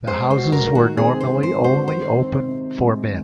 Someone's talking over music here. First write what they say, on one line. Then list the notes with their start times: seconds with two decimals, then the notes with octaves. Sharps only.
The houses were normally only open for men.
0.07 G#3 C5
0.30 C5
0.37 F#4
0.52 A#4
0.67 D#3
0.75 F#4
0.97 C4 G#4
1.20 C5
1.27 G#3
1.43 C5
1.57 F#4
1.64 C5
1.87 D#3 C5
2.17 C4
2.48 C3
2.77 G#3
3.07 D#3